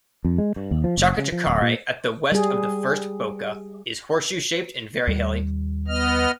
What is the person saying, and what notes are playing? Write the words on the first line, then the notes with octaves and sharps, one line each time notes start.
Chacachacare, at the west of the first Boca, is horseshoe shaped and very hilly.
F2
G#3
G2
D#2
F3
F#1
C#3
F3
D1
A#2
G3 G#4
D#2 G3
B3 D#5 F6